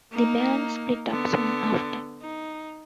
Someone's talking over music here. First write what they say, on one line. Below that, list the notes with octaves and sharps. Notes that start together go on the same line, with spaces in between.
The band split up soon after.
A#3 D#4
D3 B3
D#4